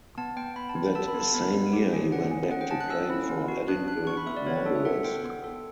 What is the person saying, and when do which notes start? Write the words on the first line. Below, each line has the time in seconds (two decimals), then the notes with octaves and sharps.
That same year he went back to playing for Edinburgh Wanderers.
0.18 B3 A5
0.36 B3 G5
0.56 B3 B5
0.69 A5
0.76 B3
0.95 A4 A5
1.08 B5
1.15 B3
1.20 A5
1.34 B3 B5
1.54 B3
1.73 G4
1.93 C#4
2.12 C#4 F#5
2.32 C#4
2.51 C#4 F#5
2.61 G5
2.71 C#4 A5
2.81 F#6
2.90 C#4 E6
3.10 E4
3.29 B3
3.48 F#4
3.68 D4 F#6
3.87 D4 F#6
4.07 B3 C#6
4.17 B5
4.26 B3 E5
4.37 D5
4.46 B3 C#5
4.56 B4
4.66 D4 A4
4.76 E5
4.85 A4 F#5
5.04 B3 G5
5.24 B3
5.44 A4